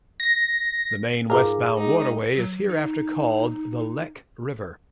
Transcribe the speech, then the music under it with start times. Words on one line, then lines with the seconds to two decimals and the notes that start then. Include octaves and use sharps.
The main westbound waterway is hereafter called the Lek River.
0.20 A#6
1.30 G#2 F4 G#4 A#4
1.78 G#3 D#4
2.36 F#3
2.69 D#4